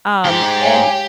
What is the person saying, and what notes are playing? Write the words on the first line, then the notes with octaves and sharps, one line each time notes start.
Um, and
D#2 G#2 G4
C#5 F5 G#5